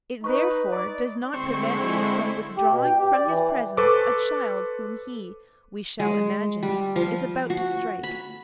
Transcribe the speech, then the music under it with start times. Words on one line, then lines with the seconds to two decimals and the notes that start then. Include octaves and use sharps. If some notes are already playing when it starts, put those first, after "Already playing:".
It, therefore, does not prevent me from withdrawing from his presence a child whom he, we shall imagine, is about to strike.
0.24 D#4 B4 C#6
0.72 D#4 D5
1.34 D3 G#3 C4 E4 C#6
2.57 G4
2.71 B2
2.84 G5
3.00 G4
3.13 D5
3.28 E3
3.77 A4 B4 C5 C#6 D6
6.00 G#3
6.63 G3
6.96 F3
7.50 F#4
8.03 B5